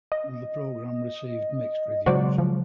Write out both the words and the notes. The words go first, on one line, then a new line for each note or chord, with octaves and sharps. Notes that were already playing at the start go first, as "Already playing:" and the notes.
The program received mixed reviews.
D#5
C#3 F#3 G#3 F#4 C5 D5
F3